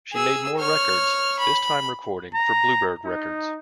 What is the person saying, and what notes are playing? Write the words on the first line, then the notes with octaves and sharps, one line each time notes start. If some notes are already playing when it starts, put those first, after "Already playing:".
She made more records, this time recording for Bluebird Records.
G#4 E6
C#5 F6
B5
A#5
D#4